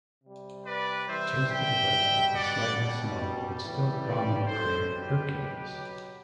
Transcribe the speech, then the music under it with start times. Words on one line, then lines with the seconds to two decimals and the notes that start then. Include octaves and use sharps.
Just to the west is the slightly smaller but still prominent crater Hercules.
0.23 C3 G3
0.66 B4 D5
1.08 C3 E3 G3 C5 E5
1.51 E5 G5
1.93 B2 G3
2.35 D5 F#5
2.77 B2 G3
3.62 A2 E3 G3
4.05 B4 D5
4.47 B2 F#3 A4 C5
4.89 G4 B4
5.31 B2 F#3